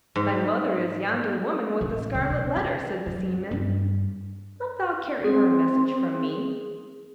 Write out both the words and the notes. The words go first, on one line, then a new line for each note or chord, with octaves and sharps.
"Thy mother is yonder woman with the scarlet letter," said the seaman, "Wilt thou carry her a message from me?"
G#2
A1
C#2
B2
D3
F#2
G2
C4 G#4